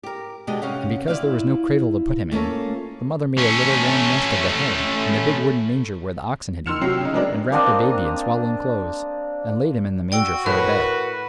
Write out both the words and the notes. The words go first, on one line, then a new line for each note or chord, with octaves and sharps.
And because there was no cradle to put Him in, the mother made a little warm nest of the hay in the big wooden manger where the oxen had eaten, and wrapped the baby in swaddling clothes, and laid Him in the manger, for a bed!
G4 A#4
B2 D3 G#3 G4 D#5
C3 C#4 F5 F#5
E4 F4 D5 F5
A3 A#3 C#4 F4 A4
A3 C#4
D#3 C6 E6 F6 C#7 E7
C3 F#3 F#4 G5 C7 E7
C#3 D#4
F#3 G#3 B3 D4 A#4 D5
A#3 C4 D4 D#5
F#4 D5 G5 E6
A2 A#4 B4